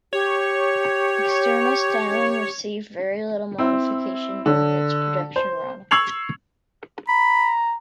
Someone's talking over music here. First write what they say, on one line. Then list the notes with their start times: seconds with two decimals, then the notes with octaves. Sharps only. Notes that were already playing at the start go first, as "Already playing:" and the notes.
External styling received very little modification during its production run.
0.13 G4 C#5
3.58 C4 E4
4.46 D3
5.36 C5
5.91 C#6 E6 G#6 C7 F7 F#7
7.08 A#5 B5